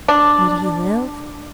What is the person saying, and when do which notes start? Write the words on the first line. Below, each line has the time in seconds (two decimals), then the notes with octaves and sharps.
Would he live?
0.08 D4